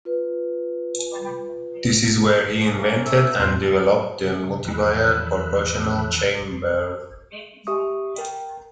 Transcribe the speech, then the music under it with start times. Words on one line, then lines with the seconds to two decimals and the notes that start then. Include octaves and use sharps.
This is where he invented, and developed, the multiwire proportional chamber.
0.05 F4 B4
2.79 A2 A#3 C#4
3.06 E5
3.39 E2 A2 C4
4.65 E2 E3 F3 B5 E6 F#6
7.67 G4 E5 C#6 D#6
8.18 A#4 G5